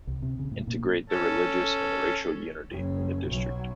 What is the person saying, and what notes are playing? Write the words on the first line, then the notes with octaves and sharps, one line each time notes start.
Integrate the religious and racial unity in the district.
C2
C3
C#3
A2
A#2
C#4 A4
F#1 C#3
B1 F#3